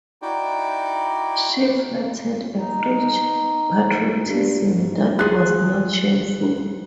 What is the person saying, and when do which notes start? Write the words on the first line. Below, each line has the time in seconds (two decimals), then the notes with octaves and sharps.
She flattered a French patriotism that was not shameful.
0.22 D#4 E4 F#4 D5 G5
2.58 D#4
4.22 G2
4.67 G#2
5.19 F4 G#4 F#6